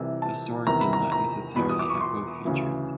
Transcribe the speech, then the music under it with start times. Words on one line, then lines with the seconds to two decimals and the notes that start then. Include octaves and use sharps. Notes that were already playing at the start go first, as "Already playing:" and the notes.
A sword did not necessarily have both features.
Already playing: C2 C3 E3
0.22 A5
0.67 E2 C3 D#3 A#5
0.81 B5
0.93 A#5
1.12 A#5
1.56 E2 B2 B5
1.69 D#6
1.79 D6
1.90 C#6
2.01 C6
2.45 D2 C#3 E3